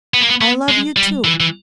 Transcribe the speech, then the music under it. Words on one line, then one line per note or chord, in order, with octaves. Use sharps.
I love you too....
B3
A#3
B3
B3
G#3
G3
E3
E3